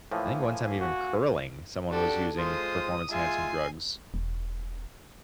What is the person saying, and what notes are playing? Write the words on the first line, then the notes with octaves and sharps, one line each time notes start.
I think one time even curling, someone was using performance-enhancing drugs.
A2 E3 F3 A#3 G#5
F#4
D4 F#4 G4 A4
G#3 F4 C5 D#6
G#3 F4 E5 G#5 C7
E1